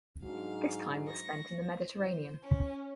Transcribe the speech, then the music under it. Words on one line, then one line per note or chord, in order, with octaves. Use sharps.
This time was spent in the Mediterranean.
G#2 F#3 D4 F5
C#6 A#6
C5
C#4